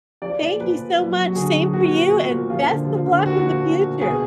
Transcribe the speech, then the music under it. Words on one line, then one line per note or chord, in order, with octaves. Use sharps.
Thank you so much. Same for you, and best of luck in the future.
F3 D5
A#2
F3 B4
A#2
F#3
F#3
F#4
D3 G#4
F#3
A#2 F#4
F3
A#2
A#2
F3 F4
D3
F3
D3
A#2 F#4
F3
A#2
A#2
B2 G#4